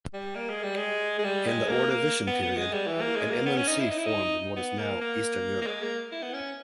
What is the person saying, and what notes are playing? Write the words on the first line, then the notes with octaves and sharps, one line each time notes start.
In the Ordovician period, an inland sea formed in what is now Eastern Europe.
G3
A#3
G#3
G3
G#3
G#3
G3
G#3
A#3
A#3
B3
B3
G#3
G3
E3
A#3
G#3
A#3
B3
C#4
D#4
E4
D#4
E4
D#4
B3
A#3
A#3
A#3
G#3
A#3
E4
B3
C#4